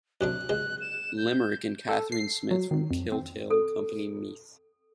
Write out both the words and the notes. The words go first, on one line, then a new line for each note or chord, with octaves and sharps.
Limerick, and Catherine Smith from Kiltale, Company Meath.
F#2 C3 D4 F#6
C#2 G#3
E7
G6
A4
C7
F#3
D#3
F2
C4
A4